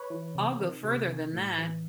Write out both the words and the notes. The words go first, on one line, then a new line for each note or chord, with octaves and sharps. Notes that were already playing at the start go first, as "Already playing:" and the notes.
I'll go further than that.
Already playing: B4 C#5
E3
C3
D#3
C3
D#3
A2
E3